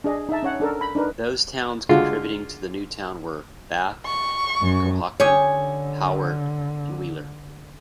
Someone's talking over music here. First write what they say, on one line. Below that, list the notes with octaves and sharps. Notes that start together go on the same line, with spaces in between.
Those towns contributing to the new town were: Bath, Cohocton, Howard, and Wheeler.
D4 G#4 D#5
D#4 D#5 E5 A5
C#4 C#5 F#5
D4 A4 A#4
B5
D4 D#4 A#4 B4
D3 G#3 F4 F#4
C#6
F#2
D3 C#4 G4 G#4 C#5